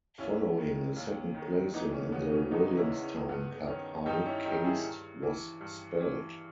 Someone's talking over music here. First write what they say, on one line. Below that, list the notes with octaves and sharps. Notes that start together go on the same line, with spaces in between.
Following a second placing in the Williamstown Cup High Caste was spelled.
D#2 C#4 E4
D#3
D#2
D#3
E3 B3 D#4
C#4
C#3 B3
C#4
E2 B3 D#4
C#4 E4
E2
C#4
G2 B3
D#3 C#4
G2 D#4 G4
C#4 E4
D#3 D#4 G4
E4 G#4
G2
E3
G2
E3